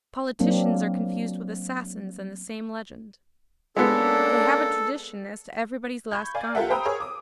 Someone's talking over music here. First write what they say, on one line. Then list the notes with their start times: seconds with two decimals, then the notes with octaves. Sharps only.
"Politicians" are confused with assassins in the same legend. They have a tradition as to everybody's last garment.
0.40 F#3 A#3 C4 D4
3.77 G#3 A#3 B3 C#4 D4 A4
6.11 B5 C#6 G6 G#6
6.35 D5 F5 G#5
6.55 F4 G4 A4 A#4 E5 F#5
6.70 C5 G5 A#5 B5 D#6 E6
6.85 G#4 A#4 C#5
7.00 D6 D#6